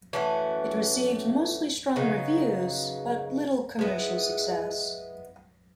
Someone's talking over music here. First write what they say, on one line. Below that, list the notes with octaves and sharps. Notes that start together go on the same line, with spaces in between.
It received mostly strong reviews but little commercial success.
E3 A3 C#4 F#4
C#3 F#3 B3 D#4
G#3 B3 E4